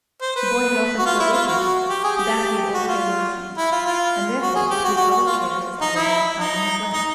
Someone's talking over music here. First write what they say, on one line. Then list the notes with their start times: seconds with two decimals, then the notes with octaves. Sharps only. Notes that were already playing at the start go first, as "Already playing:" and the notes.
The boy had offered to go with him, but that he had altogether refused;--and, therefore, to his other cares was added that of finding his way.
0.21 C5
0.36 B4
0.99 F#4
1.05 F4
1.19 E4
1.33 F4
1.47 F#4
1.89 G4
2.04 G#4
2.17 G4
2.74 F#4
2.88 F4
3.57 E4
3.71 F4
3.86 F4
4.42 F#4
4.55 G#4
4.70 G4
4.84 F#4
4.97 F#4
5.11 F#4
5.26 F4
5.81 D#4
5.96 E4
6.38 D#4
6.93 D#4